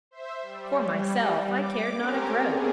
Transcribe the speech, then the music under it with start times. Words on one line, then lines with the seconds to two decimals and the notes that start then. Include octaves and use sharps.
For myself, I cared not a groat.
0.11 C5 E5
0.42 G3
0.99 G3
1.53 D6
1.95 C4 C#4 G4 A#4
2.40 A3 B3 G#4